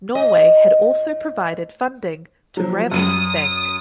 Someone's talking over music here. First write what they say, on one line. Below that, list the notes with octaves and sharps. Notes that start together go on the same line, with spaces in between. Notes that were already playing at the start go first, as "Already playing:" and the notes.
Norway had also provided funding to Grameen Bank.
A2 D#5
F3 F#3
F#2 D#6 D#7